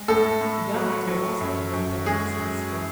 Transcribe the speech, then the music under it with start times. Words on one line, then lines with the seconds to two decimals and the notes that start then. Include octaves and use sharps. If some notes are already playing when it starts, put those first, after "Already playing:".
The gods were also invoked by incense.
Already playing: G#3
0.08 A2 A4
0.41 A2
0.74 F#3
1.07 F#3
1.41 F#2
1.73 F#2
2.06 G#3 G#4
2.39 F#2
2.72 E3